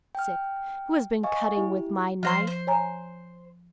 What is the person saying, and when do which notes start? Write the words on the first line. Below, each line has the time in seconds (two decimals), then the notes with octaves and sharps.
The sixth, "Who has been cutting with my knife?"
0.15 G5 F6
1.23 D#5 F5 G#5 C#6
1.57 E4 G4
2.23 F3 F4 C5 C6 A#6
2.47 C5
2.67 C#5 G#5 A#5